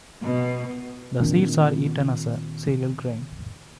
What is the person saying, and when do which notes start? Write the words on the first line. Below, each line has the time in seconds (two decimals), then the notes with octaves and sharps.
The seeds are eaten as a cereal grain.
0.22 B2
1.20 A#2 D#3 C4 D4